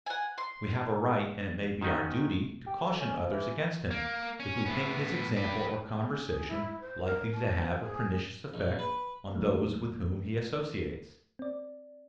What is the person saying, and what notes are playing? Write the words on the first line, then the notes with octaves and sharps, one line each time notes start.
We have a right, and it may be our duty, to caution others against him, if we think his example or conversation likely to have a pernicious effect on those with whom he associates.
F#5 G#5
C6
G#2 D#3 C#4 D#4 F#4
G4
D2
C#4
F2
E3
A#3
C#4
A2 B3
G4 B4
G#4
G#4
E4
C5
A#4
A5
C5
G#4
A#1
B4
E2 D#3 F#3 A3 A#3
C4 D5